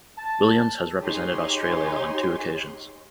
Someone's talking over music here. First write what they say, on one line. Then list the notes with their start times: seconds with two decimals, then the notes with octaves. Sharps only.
Williams has represented Australia on two occasions.
0.18 A5
1.02 D#4 G4 G#4 C#5 C6